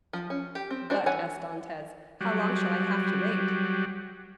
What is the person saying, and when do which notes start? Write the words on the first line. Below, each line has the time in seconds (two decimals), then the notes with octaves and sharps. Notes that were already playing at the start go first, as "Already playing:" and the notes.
"But," asked Dantes, "how long shall I have to wait?"
0.13 F3
0.30 C#4
0.55 G4
0.70 C4
0.90 D4 F#4 C5 D5
1.06 E3 C#5 F#5 G#5
2.21 F#3 G3